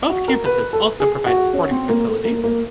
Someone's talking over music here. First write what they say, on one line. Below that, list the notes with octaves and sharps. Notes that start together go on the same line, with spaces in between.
Both campuses also provide sporting facilities.
F#4
A#4
B4
A4
G#4
F#4
C#4
C4
A#3
A3
A#3
A#3